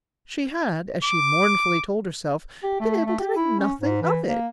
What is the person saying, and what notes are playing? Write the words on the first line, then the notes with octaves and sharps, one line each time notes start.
She had, as she mournfully told herself, been able to make nothing of it.
D6
G4
A3
A3
G4
E4
C#4
G#2
E3
A#3